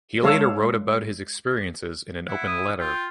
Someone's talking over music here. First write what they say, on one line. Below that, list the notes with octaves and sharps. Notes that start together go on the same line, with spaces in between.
He later wrote about his experiences in an open letter.
G#3 A4 C#5 F5
E4 F#5
D#6
F4 G5